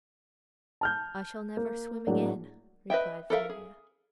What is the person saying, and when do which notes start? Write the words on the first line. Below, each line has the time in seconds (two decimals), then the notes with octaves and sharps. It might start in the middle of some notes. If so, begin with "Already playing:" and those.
"I shall never swim again," replied Faria.
0.81 A5 F6 G6
1.57 A#3
2.07 A2 F#3 G#3 A#3 D4
2.90 B4 D#5 E5 G5
3.30 A4 A#4 E5 F5
3.49 G#4